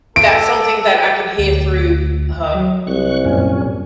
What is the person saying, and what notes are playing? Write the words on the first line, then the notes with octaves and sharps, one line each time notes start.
that's something that I can hear through, um,
A4 D7
D2
F#3
C2 C#6 F#6
F#2 A#2 C#4